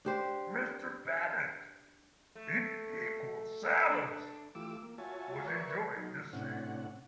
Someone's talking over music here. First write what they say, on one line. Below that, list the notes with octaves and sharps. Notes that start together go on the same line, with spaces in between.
Mr. Bennet, in equal silence, was enjoying the scene.
D4 G4 C5
A3
D4
E3 A3 F4 G4 D6 E6
A#3
F4 F#4 C#5 E5 G#5 A5
A#4 B4 D5 E5 C#6
F#3 D#4
A2 C3 C#4 D4 E4 F#5